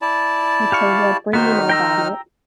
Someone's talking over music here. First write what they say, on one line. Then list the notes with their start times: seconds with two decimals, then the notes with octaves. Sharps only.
Matilda, bring me my bonnet.
0.02 E4 D5 A5
0.72 G4 F5 C#6
1.33 D#3 B3 D#4 F#4 C5 F6
1.69 G5 A#5 E6